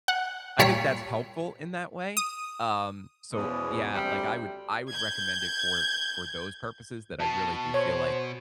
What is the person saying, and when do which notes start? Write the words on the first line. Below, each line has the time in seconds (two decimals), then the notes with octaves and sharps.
I think that's helpful in that way. Um, so, yeah, like, I would I would recommend it for for those purposes that I really do feel, like,
0.08 F#5
0.59 A#2 G3 C#5 B6 C#7
2.17 D#6
3.33 E2 B2 F3 G#3 C#4
3.93 D2 C3 G3
4.90 G6 G#6
7.20 B2 A5
7.74 C5 C#5